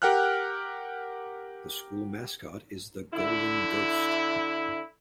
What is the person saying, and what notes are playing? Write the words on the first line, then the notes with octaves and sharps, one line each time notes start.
The school mascot is the "Golden Ghost".
G4 A#4 F#5 G5 F6 F#6
D3 E4